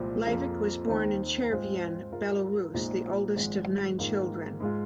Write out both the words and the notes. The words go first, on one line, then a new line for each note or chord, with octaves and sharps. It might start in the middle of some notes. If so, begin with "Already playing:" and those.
Leivick was born in Chervyen, Belarus, the oldest of nine children.
Already playing: C2 A#2 F3 G#3 C4
F2 F3 A#3 F4 G#4
D#2 D#3 C4 D#4 C5
G#2 G#3 C4 F4
G#2 G#3 F4 A#4
A#1 A#2 G#3 D#4 C5
G#1 G#2 F3 G#3
G#2 D#3 A#3 F4 A#4
G#2 G#3 F4